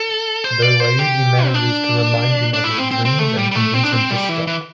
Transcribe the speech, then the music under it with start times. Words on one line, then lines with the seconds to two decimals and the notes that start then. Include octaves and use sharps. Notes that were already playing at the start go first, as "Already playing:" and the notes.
Though Ryuji manages to remind him of his dreams and convince him to stop.
Already playing: A4
0.44 C5
0.62 D5
0.80 C5
0.99 G4
1.46 C4
1.54 D4
2.53 D4
2.64 E4
2.71 A3
2.78 C4
2.91 C4
3.05 C4
3.19 A3
3.37 G3
3.51 G3
3.55 A3
3.74 C4
3.83 D4
3.92 C4
4.11 G3
4.29 E3
4.47 E3